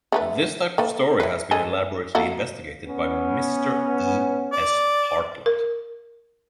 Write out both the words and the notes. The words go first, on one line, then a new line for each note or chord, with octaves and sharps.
This type of story has been elaborately investigated by Mr. E. S. Hartland.
D3 A3 B4
A#3 A4 B4
E4 B4
G#3 G#4 A4
A#3 F#4 A4
B3 C#4
D5
A#4